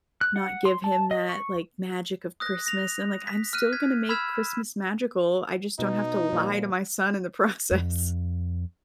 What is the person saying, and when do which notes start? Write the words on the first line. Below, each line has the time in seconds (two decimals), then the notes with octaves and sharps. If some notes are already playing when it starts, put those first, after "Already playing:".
not give him that, like, magic of Christmas," and, I'm like, "I'm still gonna make Christmas magical, I just don't have to lie to my son in the process."
0.21 F#6
0.36 F#5
0.65 C6
0.84 A5
1.11 D#5
1.29 C#6
2.40 D#6 F#6 A#6
2.66 A#6 F7
3.27 B6
3.53 F6 F#6 D#7
3.73 G#6 B6
4.09 B5 E6 F6 G#6 B6 E7
5.79 B2 D#4
6.32 A#2 F3 G3
7.71 F2